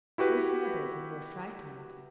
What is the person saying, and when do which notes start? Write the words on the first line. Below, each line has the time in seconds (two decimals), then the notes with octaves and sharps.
They saw this, and were frightened.
0.18 E4 F#4 G4 B4